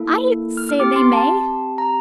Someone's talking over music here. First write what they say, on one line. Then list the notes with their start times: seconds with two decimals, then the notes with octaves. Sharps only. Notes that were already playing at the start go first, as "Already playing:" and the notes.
I say they may.
Already playing: A#3 E4 A4
0.57 F6
0.69 F6
0.79 C4 G4 D6
0.96 C6
1.13 A5
1.78 A#5